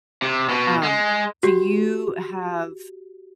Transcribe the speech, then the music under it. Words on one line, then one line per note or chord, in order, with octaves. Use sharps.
Um, do you have
C3
B2
G#3
F#4 G4